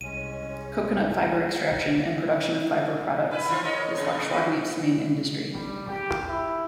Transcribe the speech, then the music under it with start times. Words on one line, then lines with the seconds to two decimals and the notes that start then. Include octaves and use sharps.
Coconut fibre extraction and production of fibre products is Lakshadweep's main industry.
0.01 C2 G#3 C#4 D#7
3.31 E4 B4
3.49 D#3 F3 F4
3.65 A#4 C#5 D#5
3.97 G#2 C3
4.29 F#4 B4
5.54 G3
5.88 G4
6.28 E4